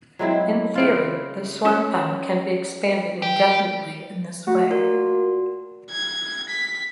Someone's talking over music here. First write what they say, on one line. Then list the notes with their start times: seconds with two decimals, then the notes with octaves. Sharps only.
In theory, the suanpan can be expanded indefinitely in this way.
0.19 F#3 G#3 C4 E4
0.75 C#3 E4 F4
1.65 C#4 A4 C5
3.22 G4
4.47 A3 F#4
4.71 A#2 F#4
5.91 G#6
6.49 B6